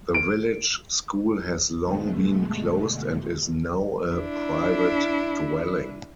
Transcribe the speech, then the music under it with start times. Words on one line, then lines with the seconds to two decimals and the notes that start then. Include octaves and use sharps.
The village school has long been closed and is now a private dwelling.
0.14 D7
1.82 G2 B2 D3 G#3 A3
4.14 D4 E4